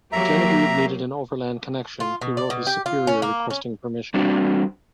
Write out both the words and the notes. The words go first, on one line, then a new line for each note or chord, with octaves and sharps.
Genevieve needed an overland connection, he wrote his superior requesting permission.
F#3 A#3 G4 E5 A#5
F4
B2
D5
B2
G4
F4
C#4
A#3
C#4
G3 C4 D4 F#4